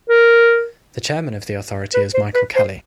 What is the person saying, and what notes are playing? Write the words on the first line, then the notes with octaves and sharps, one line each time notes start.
The Chairman of the Authority is Michael Kelly.
A#4
B4
C5
B4
C5